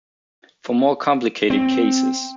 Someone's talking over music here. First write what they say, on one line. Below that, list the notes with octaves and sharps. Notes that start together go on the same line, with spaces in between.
For more complicated cases.
C4